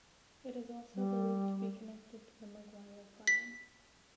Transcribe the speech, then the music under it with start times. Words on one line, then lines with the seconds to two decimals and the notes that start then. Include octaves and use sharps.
It is also believed to be connected to the Maguire clan.
0.95 G3
3.27 B6